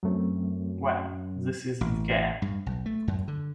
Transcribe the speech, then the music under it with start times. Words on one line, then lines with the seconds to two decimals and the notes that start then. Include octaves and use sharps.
Well, this isn't Cannes.
0.03 F#2 F#3 A3 C4
1.81 A1
2.42 G2
2.66 B1
2.86 A3
3.08 F#2
3.28 D3